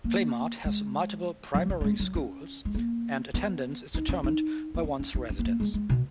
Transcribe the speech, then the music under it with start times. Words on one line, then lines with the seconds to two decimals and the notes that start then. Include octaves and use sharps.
Clamart has multiple primary schools, and attendance is determined by one's residence.
0.04 A#3
0.65 G#3
1.55 F#3
1.70 E3
1.81 F#3
1.84 G#3
2.00 F#3
2.15 C#4
2.65 G#3
2.75 A#3
3.34 B3
3.94 D#4
4.09 C#4
4.24 D#4
4.74 B3
4.84 C#4
4.99 C#4
5.15 D#4
5.30 C#4
5.39 B3
5.45 A#3
5.60 G#3
5.74 G#3
5.89 B2